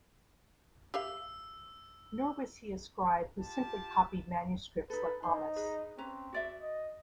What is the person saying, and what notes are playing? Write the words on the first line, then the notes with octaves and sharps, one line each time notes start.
Nor was he a scribe who simply copied manuscripts like Ahmes.
G4 E5 F5 E6
F4 G4 A5
D#4 A4 B4
D#4 C5
G#4 B4
C4 C#4 B4 A#5
F#4 D5 E5
D#5